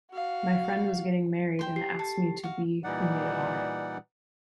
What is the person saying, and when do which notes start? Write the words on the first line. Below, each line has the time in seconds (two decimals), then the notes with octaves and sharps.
My friend was getting married and asked me to be her maid of honor.
0.12 F#4 F5
1.59 C5 G5 C6
1.76 G4 C7
1.99 A4
2.43 F#4 F5
2.83 A#2 E3 G3 D#4 D5 F#5